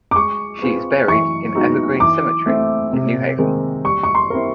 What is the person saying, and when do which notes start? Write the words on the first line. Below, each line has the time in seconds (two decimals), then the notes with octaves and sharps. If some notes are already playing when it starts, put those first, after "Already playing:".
She is buried in Evergreen Cemetery in New Haven.
0.11 D6
0.15 G#3 C#6
0.62 C4 F4 G#4 B4
1.08 E3 C#6
1.55 G#3 B3 D#4 F#4
2.00 E3 D6
2.46 A3 C4
2.93 C3
3.39 D#3 G#3 C4
3.84 G3 C#6
4.03 C#6
4.15 C6
4.30 C4 E4 G4 A#4